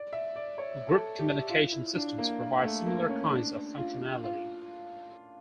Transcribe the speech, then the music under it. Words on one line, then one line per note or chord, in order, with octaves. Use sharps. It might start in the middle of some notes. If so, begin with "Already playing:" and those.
Group communication systems provide similar kinds of functionality.
Already playing: D5
E5
D5
C#5
A4
G4
F4
E4
D4
A#3
A#3
A3
A#3
C#4
D4
F4
F4